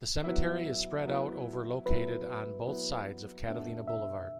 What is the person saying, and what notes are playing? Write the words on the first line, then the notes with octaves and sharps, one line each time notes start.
The cemetery is spread out over located on both sides of Catalina Blvd.
F#3 B3 E4 E5
F#3 B3 E4
F#3 B3 E4 B4
F#3 B3 E4
B2 A3 D4 F#4 E5
E5